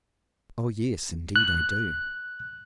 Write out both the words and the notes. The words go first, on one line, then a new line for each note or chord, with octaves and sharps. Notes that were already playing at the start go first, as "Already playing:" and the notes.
"Oh, yes, indeed I do!"
F#6